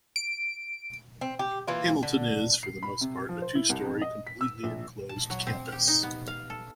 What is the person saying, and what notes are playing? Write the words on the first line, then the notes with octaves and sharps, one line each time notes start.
Hamilton is, for the most part, a two-story, completely enclosed campus.
D7
C4
G4
E3 A#3 F4
D3
C7
B5
C3
F3
C5
E4
C2
F2
D#5
B6
E6
A#1
A5
F#3
C4
G4
D#4
B3
F5
A4